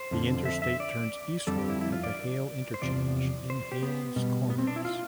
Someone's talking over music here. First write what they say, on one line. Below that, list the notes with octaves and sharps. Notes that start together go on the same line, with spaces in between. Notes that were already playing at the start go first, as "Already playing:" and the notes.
The Interstate turns eastward at the Hale Interchange in Hales Corners.
Already playing: C5
F2 D3 F3
E5
E5
D5
F2 D3 G3 A4
G4
E4
E4
F4
D5
C5
E2 C3 F3 D5
C5
G4
B3
B2 G3
B3
C4
D4
E4
F4